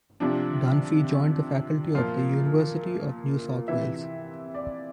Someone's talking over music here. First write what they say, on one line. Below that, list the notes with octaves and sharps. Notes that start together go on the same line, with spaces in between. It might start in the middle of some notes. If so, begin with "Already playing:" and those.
Dunphy joined the faculty of the University of New South Wales.
C3 F3 D4
A#2 F3 F4
C3 E3 E5
D5